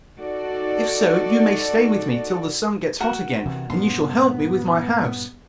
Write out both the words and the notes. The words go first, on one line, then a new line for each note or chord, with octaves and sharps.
If so you may stay with me till the sun gets hot again, and you shall help me with my house.
D#4 F#4 A4 D5
F#4 A#4 C#6
C3 E3
G2 A#2 B3 C#4 C6